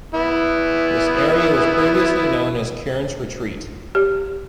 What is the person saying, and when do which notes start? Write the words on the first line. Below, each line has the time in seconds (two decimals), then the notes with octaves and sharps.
This area was previously known as Kearns Retreat.
0.15 B3 E4
3.95 G4